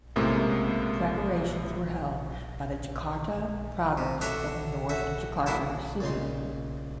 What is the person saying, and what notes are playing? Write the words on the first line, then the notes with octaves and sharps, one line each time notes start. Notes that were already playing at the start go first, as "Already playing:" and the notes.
Preparations were held by the Jakarta province and the North Jakarta City.
F#2 A2 C3 G#3 A#3
C3
D4 F#4 A4 C#5 E5 F#5
F#4 A4 E5
A#3 D4 E4 F#4 A4
A#2 C#3 D#4 C6